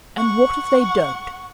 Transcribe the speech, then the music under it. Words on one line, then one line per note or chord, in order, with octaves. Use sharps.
"And what if they don't?"
F#5 C#6